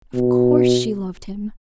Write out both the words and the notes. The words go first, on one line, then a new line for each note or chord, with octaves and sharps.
Of course she loved him!
B2